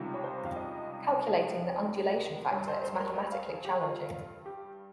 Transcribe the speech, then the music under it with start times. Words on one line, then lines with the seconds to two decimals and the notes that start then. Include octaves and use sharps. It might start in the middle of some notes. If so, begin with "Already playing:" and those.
Calculating the undulation factor is mathematically challenging.
Already playing: C#2 C3 D#3 G3
0.14 C#5
0.24 C5
0.45 F5
0.56 D#5
2.51 G2 G3 C#5
2.68 C5
2.84 C5
3.00 A#4
3.16 C5
3.32 F5
3.49 G#4
3.65 G4
3.81 F4
4.46 G4